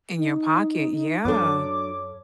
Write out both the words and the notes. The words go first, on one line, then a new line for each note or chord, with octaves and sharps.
In your pocket yeah,
D#4
F#2 F#3 D4 A4 C#5 D6